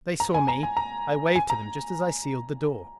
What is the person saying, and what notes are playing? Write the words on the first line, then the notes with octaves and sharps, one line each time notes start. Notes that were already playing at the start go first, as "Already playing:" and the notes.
"They saw me--I waved to them just as I sealed the door."
A#5
G#5
A#5
G#5
A#5
G#5
A#5